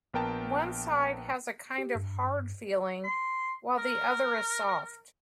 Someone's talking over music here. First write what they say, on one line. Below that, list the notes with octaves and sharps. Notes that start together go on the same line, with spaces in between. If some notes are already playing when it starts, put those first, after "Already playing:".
One side has a kind of hard feeling while the other is soft.
A#1 B3 A#4 G5 A5
G4
G2
C6
A#4